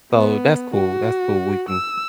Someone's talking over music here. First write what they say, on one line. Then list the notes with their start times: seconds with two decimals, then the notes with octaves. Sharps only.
So that's cool, that's cool, we can
0.12 B3
0.74 F#4
1.69 E6